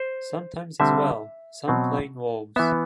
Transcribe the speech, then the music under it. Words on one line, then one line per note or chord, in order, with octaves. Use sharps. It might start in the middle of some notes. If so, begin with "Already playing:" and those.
Sometimes as well, some plain wolves...
Already playing: C5
D3 G3 C4 E5
B2 F#3 C4
E3 B3 E5